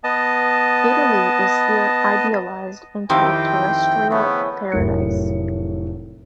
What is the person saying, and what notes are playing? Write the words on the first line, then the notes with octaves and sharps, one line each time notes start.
Italy is here idealized into a terrestrial paradise.
B3 D#5 A5
F2 D#3 C4 E4 G4 D#5 G5
C#3 A3 B3
F1 A2 F#3 A#4 C#7